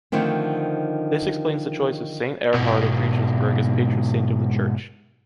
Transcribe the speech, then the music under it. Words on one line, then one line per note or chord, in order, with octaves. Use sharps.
This explains the choice of St. Erhard of Regensburg as patron saint of the church.
D3 D#3 F3 A3 C4
G#2 B2